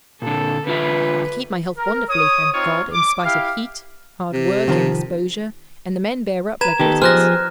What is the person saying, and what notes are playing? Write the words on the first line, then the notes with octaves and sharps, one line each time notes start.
I keep my health wonderfully, thank God! in spite of heat, hard work and exposure; and the men bear up like Britons.
A#2 D3 A4
D3 F4 B4 E5
A#4
C#5 D#6
C4 D#4 F4 C#5
D6
E4 G4 F5
C3
C2 D#3 F3
B4 A#5 G#6 E7
D#3 B3 D#4 G4 A4
F3 G#4 C5 F6 F#6 A#6